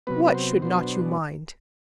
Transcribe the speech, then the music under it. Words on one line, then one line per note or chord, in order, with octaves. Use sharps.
"What should not you mind?"
C3 F#3 B3 B4
B4
C5
B2 F#3 B3 D4 C5